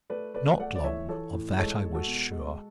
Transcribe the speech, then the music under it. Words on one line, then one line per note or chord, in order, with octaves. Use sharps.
Not long; of that I was sure.
A3 B4 D5
A3 B4 D5
A3 D5 F#5
D5
E3 C#5 E5
E3 A4 C#5
A2
G#3 A4 C#5
G#3
F#4 A4
B2
G#3